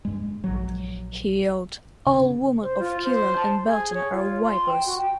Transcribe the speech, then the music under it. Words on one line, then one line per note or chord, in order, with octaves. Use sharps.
He yelled, All women of Killeen and Belton are vipers!
G2 G#3
A#1 F#3
C#3
C5
F4
C5
A5
G#4
C#5
F4
C6
G5
F#4
G5